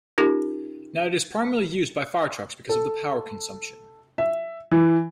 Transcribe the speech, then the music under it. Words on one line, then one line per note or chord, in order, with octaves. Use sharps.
Now it is primarily used by fire trucks because of the power consumption.
C#4 D#4 F4 G4 A#4
A4
E5
E3